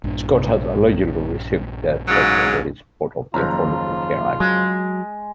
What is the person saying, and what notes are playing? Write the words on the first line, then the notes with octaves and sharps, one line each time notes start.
Scott has allegedly received death threats over his support of the Affordable Care Act.
A#1 G2 D4
G#2 C#3 F#3
F#1 D#2 F3 F4 A#5
F#3 G#3